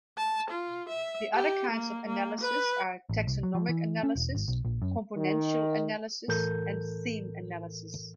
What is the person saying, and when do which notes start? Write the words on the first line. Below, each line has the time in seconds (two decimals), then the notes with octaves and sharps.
The other kinds of analysis are taxonomic analysis, componential analysis, and theme analysis.
0.18 A5
0.51 F4
0.89 E5
1.35 G4
1.71 A#3
2.08 A#3
2.41 B4
3.09 A1
3.27 C2
3.43 F#3
3.55 F3
3.69 E3
4.03 C#4
4.15 E1
4.35 G#1
4.48 B1
4.65 A#1
4.82 F#2
5.17 D#3
6.28 C2 A2 E3 A4 A#4 G6